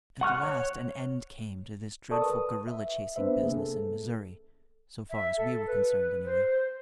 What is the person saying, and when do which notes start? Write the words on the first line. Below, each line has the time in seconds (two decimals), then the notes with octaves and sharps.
At last an end came to this dreadful guerrilla-chasing business in Missouri so far as we were concerned, anyway.
0.21 F#5 C#6 F6 F#6
0.43 C#5
2.10 A4 A#4 D5 A5 C#6 D#6
2.22 B4 D#6
2.67 E5
3.16 B3 D4 B4 C5 E5
3.43 C3 A#3 G#4
3.57 A4
5.10 E5
5.37 A4
5.67 B4
6.25 C5